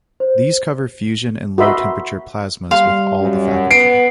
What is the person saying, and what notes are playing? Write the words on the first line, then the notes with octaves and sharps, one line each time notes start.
These cover fusion and low temperature plasmas with all the faculty.
C5
F#4 A#4 D#5 E5 B5 C6
G3 F5 C6
F#2
B3 B4 C7 D7